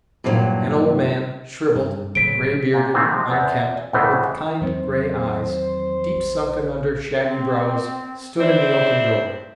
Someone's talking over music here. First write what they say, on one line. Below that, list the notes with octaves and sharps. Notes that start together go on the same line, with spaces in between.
An old man, shriveled, gray-bearded, unkempt, but with kind gray eyes, deep-sunken under shaggy brows, stood in the open door.
G2 A#2 D#3 F3 F#3
G2
D1 C#3 F#3 B6 D7
A#2
A#2 D#3 E3 A3 C4
C3 F3 G#3
E2 B3 C4
D2 A2 C#3 E3 G#3 A3
E2 D#3 F#3 C4 C5
A#1
C4
C4 D4 E4 C5